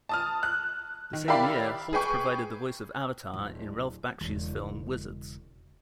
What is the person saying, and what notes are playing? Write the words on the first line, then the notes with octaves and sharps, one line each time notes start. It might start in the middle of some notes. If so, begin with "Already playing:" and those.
The same year, Holt provided the voice of Avatar in Ralph Bakshi's film "Wizards".
A5 D#6 F6
F#6
D#3
E4 G4 A#4 D5 F5 B5
G#4 B4 G5 C#6
D1
E1 C#3